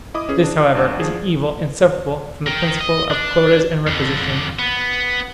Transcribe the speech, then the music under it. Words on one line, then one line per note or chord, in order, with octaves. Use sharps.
This, however, is an evil inseparable from the principle of quotas and requisitions.
E4 D#5 D6 D#6
C#4 G#4 B4
D4
G1 D4 F#5
F3 D4 G#4
A#4 G5
D#5
D4
F2 D3
B3